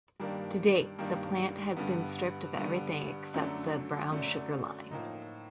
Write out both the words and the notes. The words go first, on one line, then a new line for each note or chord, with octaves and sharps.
To date the plant has been stripped of everything except the brown sugar line.
G2 D#3 G3 A#3 D4
G2 D#3 G3 A#3 D4
G2 D3 G3 B3
G2 D3 G3 B3
F#2 D3 F#3 A3 D4
F#2 D3 F#3 A3 D4
A2 F3 A#3 D#4